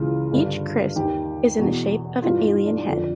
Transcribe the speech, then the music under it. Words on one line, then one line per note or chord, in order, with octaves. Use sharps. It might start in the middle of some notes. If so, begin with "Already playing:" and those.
Each crisp is in the shape of an alien head.
Already playing: C#2 C#3 E3 F4
G2 D3
D#2 D#3 G4
E2 B2 F#4
G2 E3 F4
D#4
D4
F2 D3